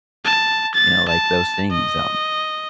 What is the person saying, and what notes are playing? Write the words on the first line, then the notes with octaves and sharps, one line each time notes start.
you know, like those things, um
A5
A6
A5
D#5